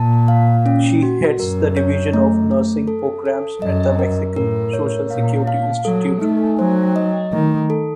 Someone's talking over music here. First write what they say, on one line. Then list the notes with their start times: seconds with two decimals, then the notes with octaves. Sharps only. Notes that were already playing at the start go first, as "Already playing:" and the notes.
She heads the Division of Nursing Programs at the Mexican Social Security Institute.
Already playing: A#2 A5
0.28 F5
0.66 C#4
1.02 F#4
1.40 F#2 A#4
1.77 C#5
2.14 A3
2.51 A3
2.87 A4
3.25 A4
3.62 F#2 D#5
3.99 A#4
4.36 A2 A#4
4.73 C#5
5.10 A#2 F5
5.47 F5
5.85 F#3 A4
6.21 A3 D#4
6.59 F#3 C5
6.96 D#5
7.32 D#3 A3
7.70 A4